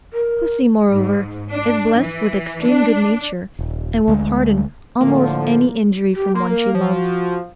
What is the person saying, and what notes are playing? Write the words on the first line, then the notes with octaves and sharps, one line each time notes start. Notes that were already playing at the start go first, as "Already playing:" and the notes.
Pussy, moreover, is blessed with extreme good-nature, and will pardon almost any injury from one she loves.
A#4
G#2
D4
E3
D4
D#1
D2 G#3
A2 D3 F3 A#3
G4
A#3 C6
A#4
F3 C#5
F#4